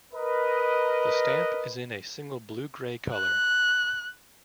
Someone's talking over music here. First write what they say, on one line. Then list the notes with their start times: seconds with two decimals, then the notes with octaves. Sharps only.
The stamp is in a single blue-gray color.
0.14 A#4 B4 D#5
3.14 F#6